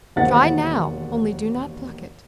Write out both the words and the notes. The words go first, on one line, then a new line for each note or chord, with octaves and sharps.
Try now--only do not pluck it.
E1 D#2 D#4 C5 F#5 A6